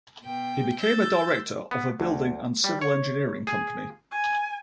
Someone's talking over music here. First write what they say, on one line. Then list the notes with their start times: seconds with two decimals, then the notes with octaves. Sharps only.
He became a director of a building and civil engineering company.
0.22 B2 G5
0.80 E6 G6 A6
1.71 B3
2.00 D2
2.64 G3
2.82 C#5
3.47 G#4
4.12 G#5